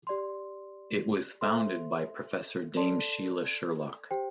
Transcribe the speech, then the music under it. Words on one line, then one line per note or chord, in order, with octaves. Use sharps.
It was founded by Professor Dame Sheila Sherlock.
G4 D5 C6
A4 C5 E5 C6
A4 D5 A5 C6
G4 C5 G5